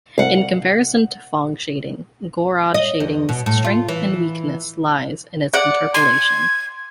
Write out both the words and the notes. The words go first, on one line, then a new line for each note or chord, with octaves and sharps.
In comparison to Phong shading, Gouraud shading's strength and weakness lies in its interpolation.
C2 F5 F#5
D#5
E2
B2
A2
F4
E3
D5 F#5
C6 G#6